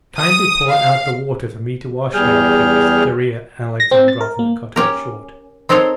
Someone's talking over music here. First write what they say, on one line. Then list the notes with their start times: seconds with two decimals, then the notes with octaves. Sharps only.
"Kindly pour out the water for me to wash now, please," Darya Alexandrovna cut her short.
0.19 D#6
0.67 F5
2.14 E2 G3 G#4 F6 G6
3.80 A#6
3.91 C4
4.08 A6
4.21 A#4
4.39 A#3
4.76 C#4 G4 A#4
5.69 C4 D#4 A4 A#4 C5 C#5